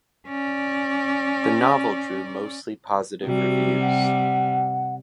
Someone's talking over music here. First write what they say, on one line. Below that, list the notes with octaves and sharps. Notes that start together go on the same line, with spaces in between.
The novel drew mostly positive reviews.
C#4 D5
C3 G3 F#4
F#5